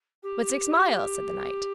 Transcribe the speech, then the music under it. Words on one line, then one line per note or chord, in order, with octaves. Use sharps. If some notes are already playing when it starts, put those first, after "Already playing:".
But six mile, said the knight.
G4